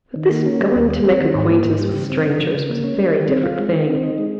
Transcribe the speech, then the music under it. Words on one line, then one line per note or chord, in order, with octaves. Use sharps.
But this going to make acquaintance with strangers was a very different thing.
D#3
A#3
C#4
G3
D#2
G3
C4
D#3
G#2
A#3
G#2
G3
C#3
C4
C#3
F3
C#3
A#3
C#4
G3
D#3
C4
F4
G#3
D#3
C4
D#4
G#3